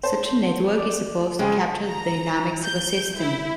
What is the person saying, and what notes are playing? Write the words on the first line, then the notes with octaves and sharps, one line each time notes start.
Such a network is supposed to capture the dynamics of a system.
C5 A5
D5 D6
C#3 G#3 D#5 G5 G#5
A#5
G6
E4